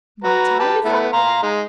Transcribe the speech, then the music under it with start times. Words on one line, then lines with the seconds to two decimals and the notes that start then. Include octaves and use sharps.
My time is up.
0.24 F#4 B4 A#5
0.59 G4 B4 A5
0.85 A3 B3 E4
1.13 F5 A#5 C6
1.43 G#3 D#4